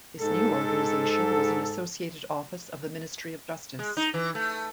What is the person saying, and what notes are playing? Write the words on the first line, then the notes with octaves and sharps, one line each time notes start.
This new organisation was an associated office of the Ministry of Justice.
G#2 A4
G#3
D#4
E3
A3